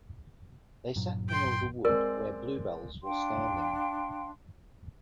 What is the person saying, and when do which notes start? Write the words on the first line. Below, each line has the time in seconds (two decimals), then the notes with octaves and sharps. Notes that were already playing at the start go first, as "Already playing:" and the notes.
They sat in the little wood where bluebells were standing.
0.96 G2 A#2 F#3
1.29 G5 C6
1.85 G#3 C4 A#4 D5
3.03 D4 F5 G5 C6